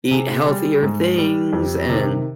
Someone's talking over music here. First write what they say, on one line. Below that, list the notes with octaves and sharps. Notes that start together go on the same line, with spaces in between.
eat healthier things, and,
C3 G#4
G3
G#2
G3
F2 G4
C3 D#3